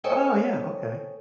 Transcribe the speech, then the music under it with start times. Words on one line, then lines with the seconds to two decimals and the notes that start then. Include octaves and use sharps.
Oh, yeah. Okay.
0.04 A4 C5 C#5 D#5 G5 G#5